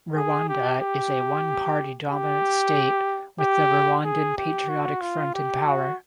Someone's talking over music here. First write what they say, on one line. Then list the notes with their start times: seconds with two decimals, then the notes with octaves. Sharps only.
Rwanda is a one-party-dominant state with the Rwandan Patriotic Front in power.
0.16 G#4
0.49 G4
0.81 G4
2.11 G4
3.40 G4
4.05 G#4
4.38 G4
4.69 F#4
5.01 F4
5.35 G4
5.66 F#4